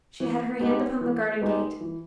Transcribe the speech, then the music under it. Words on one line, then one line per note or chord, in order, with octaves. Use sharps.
She had her hand upon the garden gate.
E3
G#3 B3 D#4 G4
E3
G#3 B3 D#4 G4
E3